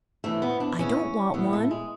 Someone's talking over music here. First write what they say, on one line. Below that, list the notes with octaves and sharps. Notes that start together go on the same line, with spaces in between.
"I don't want one."
A2 E3 A3
B3
D4
E2 C#3 E3 C#4
A2 E3 B3
A3
G#3